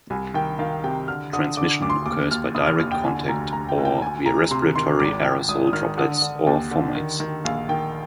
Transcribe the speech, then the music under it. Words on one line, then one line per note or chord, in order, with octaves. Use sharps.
Transmission occurs by direct contact, or via respiratory aerosol droplets, or fomites.
C2 G#5
D#3 G5
D#3 F5
C3 G5
D3 F6
D3 D#6
D3 D6
D2 D6
C6
D#2 D6
D#2 F6
F1 D#6
F6
D#2 F6
G5
D3 G#5
D2 A#5
D2 A#5
G5
D2
G5
D2 G#5
D2 A#5
C3 C6
D#3 C6
G#1 D6
G#1 G5
G#1 D#6
D#6
D#3 F6
D3 D#6
D3
D#2 G5
D3
D#3
D#3
A#1 F5
D#3 G5